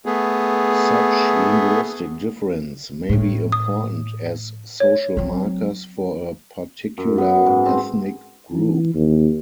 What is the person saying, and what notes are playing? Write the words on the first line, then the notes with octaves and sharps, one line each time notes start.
Such linguistic difference may be important as social markers for a particular ethnic group.
A3 B3 G#4
A2 E3
D#6
C#5
F#3 C4
F#2
B3
G#2
C4
E3
D#2